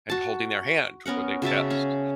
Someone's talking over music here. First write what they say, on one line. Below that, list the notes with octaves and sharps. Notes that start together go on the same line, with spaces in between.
and holding their hand when they passed.
F#4 A5
B3 C#4 A#4 F#5
C#3 F#4 E5 A5
C#4